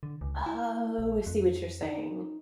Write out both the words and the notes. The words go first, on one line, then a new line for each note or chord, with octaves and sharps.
Oh, I see what you're saying.
D3
C#2
E4
A#1
F2
D#4